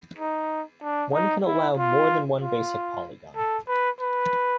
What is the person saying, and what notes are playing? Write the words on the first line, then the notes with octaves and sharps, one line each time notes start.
One can allow more than one basic polygon.
D#4
D4
D#4
E4
F4
F4
A4
B4
B4